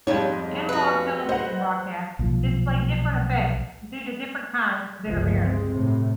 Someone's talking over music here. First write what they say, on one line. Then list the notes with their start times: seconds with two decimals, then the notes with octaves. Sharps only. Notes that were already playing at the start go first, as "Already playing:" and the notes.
Analog television broadcasts display different effects due to different kinds of interference.
0.07 F2 G#2 G3 C#5
0.69 F#4 B4
1.29 C5 D#5 F#5
2.19 B1 A#2 F3
5.07 G1 C#2 F3
5.42 G#3 C4
5.73 A2 C3